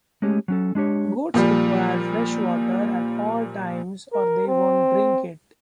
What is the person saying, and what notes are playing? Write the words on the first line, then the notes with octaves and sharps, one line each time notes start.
Goats require fresh water at all times or they won't drink it.
G#3 A3 C#4 G4 G#4
F#3 C#4 A4
G#3 D4 G4 C#5
A#2 F3 G3
A#4
C4